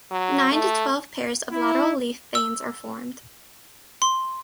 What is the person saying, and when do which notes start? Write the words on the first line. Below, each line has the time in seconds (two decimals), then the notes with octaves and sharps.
Nine to twelve pairs of lateral leaf veins are formed.
0.11 F#3
0.52 A3
1.51 E4
2.35 E6
4.02 C6